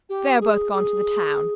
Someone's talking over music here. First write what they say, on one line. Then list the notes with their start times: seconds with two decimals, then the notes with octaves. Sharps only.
They're both gone to the town.
0.09 G4
0.41 G#4
0.72 G#4